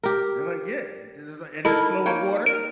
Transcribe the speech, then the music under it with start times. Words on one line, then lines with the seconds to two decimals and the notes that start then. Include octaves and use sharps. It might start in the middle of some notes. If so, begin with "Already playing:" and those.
They're like, "Yeah," this is like "And it's flowing water?"
0.03 G4 A#4
1.65 D#4 E4 A4 A#4
2.06 A#3 C#5 G5
2.46 A#4